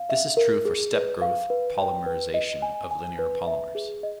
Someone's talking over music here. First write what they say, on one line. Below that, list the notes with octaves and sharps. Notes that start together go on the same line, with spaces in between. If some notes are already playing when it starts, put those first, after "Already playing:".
This is true for step-growth polymerization of linear polymers.
Already playing: F5
E5
A#4
G#4
B4
F5
B4
G5
B4
D#5
G#5
G#5
B4
E5
G#4
D#5